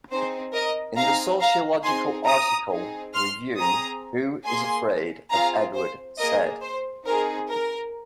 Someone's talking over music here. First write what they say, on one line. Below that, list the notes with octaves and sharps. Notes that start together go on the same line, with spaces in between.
In the sociological article, Review: Who is Afraid of Edward Said?
C4 D#4 G#4 C5
A#4 D#5
C4 D#4 G#4 F5 A#5
F5 A#5
C4 D#4 G#4 G#5 C6
A#5 D#6
C4 D#4 G#4
C6 F6
C4 G#4 A#5 D#6
A#3 G#4 G#5 C6
C4 F4 G#4 F5 A#5
C5
A#3 G#4 A#4 D#5
C5
C4 D#4 G#4 A#4
A#4